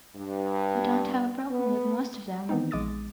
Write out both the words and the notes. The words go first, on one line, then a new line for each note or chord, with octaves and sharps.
We don't have a problem with most of them.
G2
B3
D#3 E3 B3 C4 D#4
A#1 G#3 D6 D#6 A6